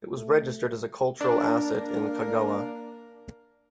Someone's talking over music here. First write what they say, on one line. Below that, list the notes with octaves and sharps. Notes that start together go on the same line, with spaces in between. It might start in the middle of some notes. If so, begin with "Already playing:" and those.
It is registered as a cultural asset in Kagawa.
A3
A#3 D4 A#4